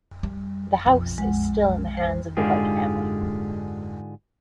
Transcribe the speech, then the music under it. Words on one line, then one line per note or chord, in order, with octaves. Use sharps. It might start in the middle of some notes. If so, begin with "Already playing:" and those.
The house is still in the hands of the White family.
G3
B1 F2
G#3 F#5
C5
G#2 D3 G#3 F4 G4 G#4